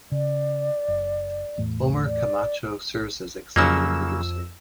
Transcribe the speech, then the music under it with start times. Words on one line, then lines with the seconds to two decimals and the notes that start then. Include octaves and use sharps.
Omar Camacho serves as executive producer.
0.12 C#3 D5
0.88 F#1
1.58 E2 A2
2.04 D5
3.56 F2 C#3 F#3 A#3 E6